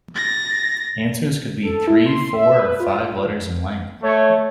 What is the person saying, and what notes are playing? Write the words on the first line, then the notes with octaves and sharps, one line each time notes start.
Answers could be three, four, or five letters in length.
A6 A#6
A4
E4
C6
E5
B4
F4
A3 C#5